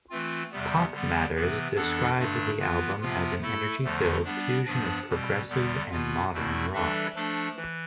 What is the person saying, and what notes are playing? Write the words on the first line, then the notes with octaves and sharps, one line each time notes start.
PopMatters described the album as an energy-filled fusion of progressive and modern rock.
E3 A3 C4 F4
E2 C3 G3 B3
D3 G3 B3
C3 E3 B3
F2 E3 B3 D4 A4
G2 D3 A3 D4
E3 B3 F4
C3 F3 B3 F4
A3 E4 A4
E2 D3 F3 A3
G3 B3 D4
G2 F3 B3 D4
B2 G3 C4
E2 D3 G3 B3
B2 B3 F4
E2 B2 A3 C4 E4
E3 G3 D4 A4 E5
F3 A3 D4 A4
E3